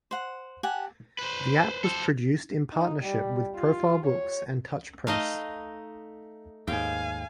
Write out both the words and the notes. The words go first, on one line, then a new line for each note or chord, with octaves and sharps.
The app was produced in partnership with Profile Books and Touch Press.
C5 F#5
G4 F#5 G#5 A5
B4 C5
A4 C5
D#4
G3
F4
C#5
A3 D#4 D#5 F5
D#2 G#2 F5 G5 G#5